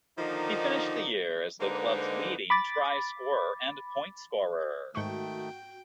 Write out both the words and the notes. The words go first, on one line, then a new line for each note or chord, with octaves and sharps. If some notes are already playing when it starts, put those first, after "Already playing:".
He finished the year as the club's leading try-scorer and point-scorer.
D3 D#3 F3 A#3 D#4
D3 G#3 A#3 D#4 B4 C5
B5 D6 A6
G#2 D#3 A3 F#4 G5 C#6